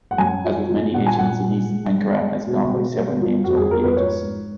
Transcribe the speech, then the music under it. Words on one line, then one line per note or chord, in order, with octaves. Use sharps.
As with many ancient cities, Ankara has gone by several names over the ages.
F#5
F#2 G#5
F3
F3
A#2 F#5
G#5
A#2 F#5
A#2
G#3
G#3
G#3
B2
B2
A#3
F3
F2 F#4
G#4
F3 A#4
B4
G#2 C#5
G#2